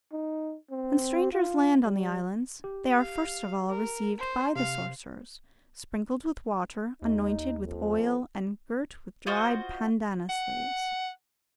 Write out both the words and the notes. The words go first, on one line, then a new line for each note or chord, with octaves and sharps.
When strangers land on the islands, they are first of all received by the sorcerers, sprinkled with water, anointed with oil, and girt with dried pandanus leaves.
D#4
C4
F4
G3
G4
F5
A#4
C5
C3 F5
D#2 D#4
F2
F4 F#4 C5 D#5
F#5